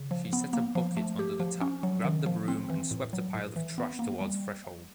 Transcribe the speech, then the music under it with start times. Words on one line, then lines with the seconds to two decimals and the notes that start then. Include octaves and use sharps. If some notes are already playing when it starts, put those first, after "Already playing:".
She set a bucket under the tap, grabbed the broom, and swept a pile of trash toward threshold.
Already playing: C#3
0.11 F3
0.33 B3
0.53 A#3
0.75 F3
0.97 A3
1.19 G4
1.40 F3
1.61 C#4
1.83 F#3
2.05 D#3
2.26 F3
2.48 C4
2.70 E3
2.91 A2
3.13 F#3
3.35 A2
3.56 E3
3.78 B3
3.99 A#3
4.21 G3